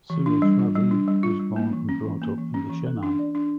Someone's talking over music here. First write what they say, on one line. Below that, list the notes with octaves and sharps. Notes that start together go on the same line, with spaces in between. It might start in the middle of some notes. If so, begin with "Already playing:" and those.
Suresh Ravi was born and brought up in Chennai.
E3
D4
G3
F4
G3
D4
G3
F4
G3
A#3
E3
C#4
E3
A#3
E3
C#4
E3
A4
D4
D5
D4